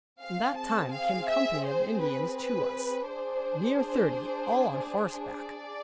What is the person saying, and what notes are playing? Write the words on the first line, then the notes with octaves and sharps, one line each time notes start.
In that time came a company of Indians to us, near thirty, all on horseback.
C4 G#4 F5
A5
F5
E5
C5
B4
B4
D4 G#4 C5
D5